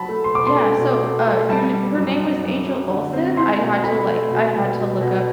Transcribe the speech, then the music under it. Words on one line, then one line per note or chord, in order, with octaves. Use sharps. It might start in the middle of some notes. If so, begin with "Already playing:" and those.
Yeah, so, uh, your n her name was Angel Olsen, I had to, like I had to look up
Already playing: F#3 A5 B5
A3
C6
B2 D6
C6
A3
B2
A3
A3
G3 A5
G3
F#2
F#2
F#2
F#2
D3
C4
E4 C6
B2
A3 B5
A3
B2
B2
B2
B2